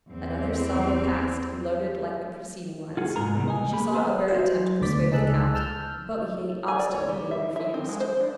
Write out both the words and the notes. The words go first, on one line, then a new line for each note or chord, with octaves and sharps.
Another salver passed, loaded like the preceding ones; she saw Albert attempt to persuade the count, but he obstinately refused.
E2 C4
F4 F#4 G#4
C2 G#2 G#3 G#4 A#4 A#5
C3 E3 G3 A3 B3 C#4
C#2 D#5 G#5
A#3 G4 B5
B3 E4 A4 B4 C5 A#5
F#3 C5
D2 B3 D5 B6
C#2 D#4 G#4 A5 E6 F#6
A5 E6 F6 G6
G#5
D5
C#5
G3
E5
E5
C4
G#3
C5
D4